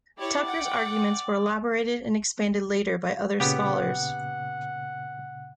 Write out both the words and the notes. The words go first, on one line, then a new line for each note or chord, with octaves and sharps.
Tucker's arguments were elaborated and expanded later by other scholars.
E4 G4 C#5 D5
F#5 G5
A#2 C#3 B3 G4 F#5